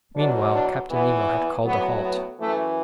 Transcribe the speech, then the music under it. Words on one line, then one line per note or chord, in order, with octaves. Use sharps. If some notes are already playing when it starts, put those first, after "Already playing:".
Meanwhile Captain Nemo had called a halt.
E2 B2 F#3 D4
D4
E2 E3 B3
B3
A2 F#3 B3
B3
F#2 E3 A3